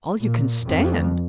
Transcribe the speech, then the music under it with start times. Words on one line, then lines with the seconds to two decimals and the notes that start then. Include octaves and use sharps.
"All you can stand?"
0.18 A#2
0.64 F2